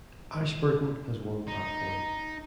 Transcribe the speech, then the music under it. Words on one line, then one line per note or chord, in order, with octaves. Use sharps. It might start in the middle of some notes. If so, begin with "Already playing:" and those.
Ashburton has one platform.
D#4